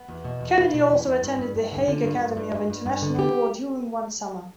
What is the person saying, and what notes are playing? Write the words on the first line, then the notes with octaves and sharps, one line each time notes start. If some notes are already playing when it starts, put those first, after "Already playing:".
Kennedy also attended the Hague Academy of International Law during one summer.
Already playing: B3
E2
B2
E2
B2 E4
B2
E2
E2
G2
G2
G2
D3
D3 F4
G2
G2
G2
G2
G2
G2
D3
G4